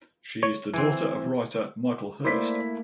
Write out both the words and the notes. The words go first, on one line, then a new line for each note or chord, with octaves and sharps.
She is the daughter of writer Michael Hirst.
C#5
E3 C4
A3 A#3 E4 C5 D5 B6